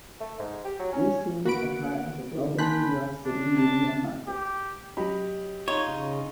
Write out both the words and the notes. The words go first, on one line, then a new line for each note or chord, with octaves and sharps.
These teams are part of the global New York City media market.
A3
G#2
G4
F#3
C#4
A#3 B3 F#4 F#5 B5 D7
D#3
A#3 G#5 A5 B5 C6 F#6 G6 B6
D4
A5
G4
F#3 C#4 G4 D#5 B5
D#4 F4 C#5
C#3 F5 C#6